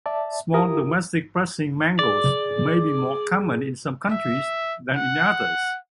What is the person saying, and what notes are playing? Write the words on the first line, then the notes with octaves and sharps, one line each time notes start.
Small domestic pressing mangles may be more common in some countries than in others.
D5 E5 A5
E4 F4 G4 A#4 D#6
G#4 D5
E5
F#5